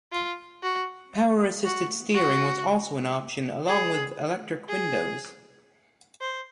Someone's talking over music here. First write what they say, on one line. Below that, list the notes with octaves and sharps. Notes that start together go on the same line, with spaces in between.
Power assisted steering was also an option along with electric windows.
F4
F#4
F#4
F#4
G#4
G#4
C5